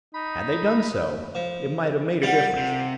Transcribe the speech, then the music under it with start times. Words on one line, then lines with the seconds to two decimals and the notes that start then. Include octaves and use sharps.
Had they done so, it might have made a difference.
0.14 D#4 B5
1.35 F3
2.23 G3 F4 F#5
2.58 C3